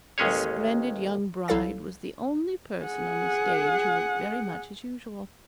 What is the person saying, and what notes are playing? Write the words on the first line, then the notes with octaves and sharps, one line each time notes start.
The splendid young bride was the only person on the stage who looked very much as usual.
A1 D#2 G#3 C#4 G#4 C#5
C2 F#3 E4 A4 F5 A6
G#4 F#5